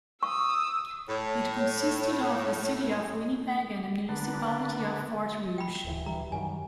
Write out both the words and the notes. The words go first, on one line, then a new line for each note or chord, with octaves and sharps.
It consisted of the city of Winnipeg and the municipality of Fort Rouge.
C#6 D#6 E6
A2 C#5
D3 A#3 B3 F#5 A5
G5 B5
D1 E3
D2 E3 G3 A#5
F#2 D#3 G3 G#5